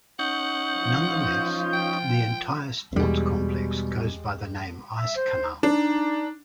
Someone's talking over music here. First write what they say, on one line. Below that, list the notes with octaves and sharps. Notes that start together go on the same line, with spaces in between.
Nonetheless, the entire sports complex goes by the name Eiskanal.
C#4 D#4 F#5 G6
F3 F4
G5
E2 B2 G3 G#3 G4
E5
C5
D4 D#4